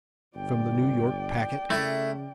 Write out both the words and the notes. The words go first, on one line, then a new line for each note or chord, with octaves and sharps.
From the New York Packet.
G1 D5 G5
C#3 A3 E4 A#4